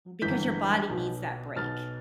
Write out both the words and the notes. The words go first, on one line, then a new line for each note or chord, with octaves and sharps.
because your body needs that break,
G1 G2 E3 G6 B6
B1 B2
B1 B2 F6 A6